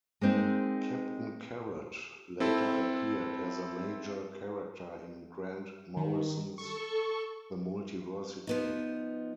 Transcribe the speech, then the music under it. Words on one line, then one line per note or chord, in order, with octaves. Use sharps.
Captain Carrot later appeared as a major character in Grant Morrison's "The Multiversity".
G#3 A#3 C4 D#4
C4 E4 A4
D#3
A4 C#6
F3 B3 D#4